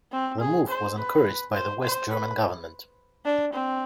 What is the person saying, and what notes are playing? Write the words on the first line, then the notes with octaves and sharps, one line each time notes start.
The move was encouraged by the West German government.
C4
G#4
C5
B4
C5
C5
B4
D4
C4